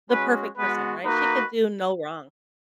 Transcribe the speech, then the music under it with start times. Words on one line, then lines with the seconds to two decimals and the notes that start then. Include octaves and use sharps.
the perfect person, right? She could do no wrong.
0.09 G#3 C#4 F#4 B4
0.57 G#3 B3 F#4 B4
1.03 A#3 D#4 F#4 B4